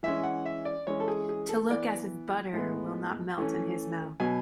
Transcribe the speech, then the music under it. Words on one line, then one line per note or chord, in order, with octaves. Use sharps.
To look as if butter will not melt in his mouth.
E3 G#3 C#4 E5
F#5
E5
D5
E3 G#3 C#4 C#5
A4
G#4
G#4
A4
E3 B3 D5
A2 G#3 B3
E3 A3 C#4
B2 F#3 B3 G#5